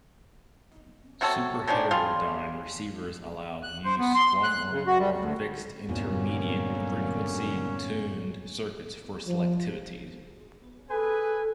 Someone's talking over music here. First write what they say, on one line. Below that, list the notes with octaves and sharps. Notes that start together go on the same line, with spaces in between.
Superheterodyne receivers allow use one or more fixed intermediate frequency tuned circuits for selectivity.
C3 F#4 A4 C#5
D#3 F3 C#4 D4
G3 F4 G#4
F#6
C5
B3
C6
F#6
C#3
F#4
G3
D2
E2 G2 A#2 D3 F#3 G3 A#3 C#4
F3
G#4 A4 B4 G#5